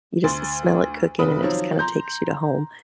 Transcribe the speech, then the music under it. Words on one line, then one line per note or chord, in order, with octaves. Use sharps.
you just smell it cooking and it just kinda takes you to home.
D2 C6 A6
F1 B4 D#6
D#3 F3 F#3
A#5 C6 G6